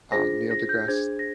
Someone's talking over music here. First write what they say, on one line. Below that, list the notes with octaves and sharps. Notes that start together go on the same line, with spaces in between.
um, Neil deGrasse
D4 F4 G#4 C5 A#6
A#6
G6
D4 G#4 C5 G#6
A#6